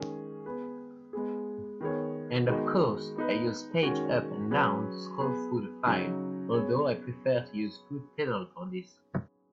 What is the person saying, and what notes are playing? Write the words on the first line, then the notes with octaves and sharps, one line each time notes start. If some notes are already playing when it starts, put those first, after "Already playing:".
And of course I use page up and down to scroll through the file, although I prefer to use foot pedals for this.
Already playing: D#3 G#3 C#4 G#4
B3 G#4 B4
G#3 B3 G#4
D#3 B3 G#4 C#5
D#3 G#3 B3 D#4 F#4
B3 D#4 B4
D#3 G#3 C#4 F#4
F#3 C#4 G#4 B4
B3 G#4 B4
C#3 F#3 D#4 F#4
B3 G#4 C#5